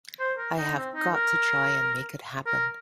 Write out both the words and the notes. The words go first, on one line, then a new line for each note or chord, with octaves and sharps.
I have got to try and make it happen.
C5
A#4
D#4
C4
D#4
A#4
A#4